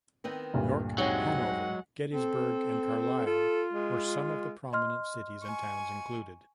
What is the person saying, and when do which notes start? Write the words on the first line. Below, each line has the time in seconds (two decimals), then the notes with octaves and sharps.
York, Hanover, Gettysburg and Carlisle were some of the prominent cities and towns included.
0.24 D#3 B3 C4
0.53 D2 G2 A#2
0.98 F#3 G#3 C4 D#4 C#5 F#5
2.12 C4 A4
3.26 F4 A4
3.73 G#3
4.73 D#5 C6 F6
5.42 G#5 C#6